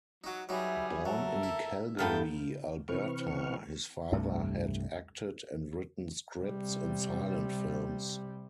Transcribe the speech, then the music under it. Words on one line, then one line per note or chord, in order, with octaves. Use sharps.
Born in Calgary, Alberta, his father had acted and written scripts in silent films.
F#3 D#4 F#4
F#3 G3 D#4 G#4 B4 E5
F#3 A4 A#4 E5
E4
G2 A3 B3 F5 G5 A5 A#5 D#6
C3 E3 C4 B4 C#6 F6
C2 G2 C3 A3
C3 G3